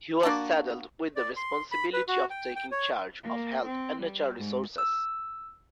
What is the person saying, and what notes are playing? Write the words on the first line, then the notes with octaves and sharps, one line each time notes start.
He was saddled with the responsibility of taking charge of Health and Natural Resources.
A#3 D4 F#4 A5
D5
C6
B5
B4
F#4
G5
G5
C#5
A#3
C4
G3
G#2
E6